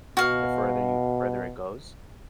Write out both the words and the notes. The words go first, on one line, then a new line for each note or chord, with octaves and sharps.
the further you further it goes,
B2 F#4 F5